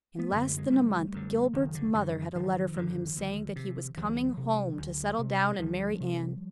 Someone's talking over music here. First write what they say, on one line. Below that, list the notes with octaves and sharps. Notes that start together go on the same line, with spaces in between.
In less than a month Gilbert's mother had a letter from him saying that he was coming home to settle down and marry Anne.
A3 B3
F#2 D3
A3
G#3
F#1 G3 A3
F#2 D3
F#1 D#3
D3
F#2 D3 D#3
F#1 D#3 F3
F#2 D3
D2
C3
D2 E3 F#3
C3
D2
C3
G#3
D2 F3 G3
C3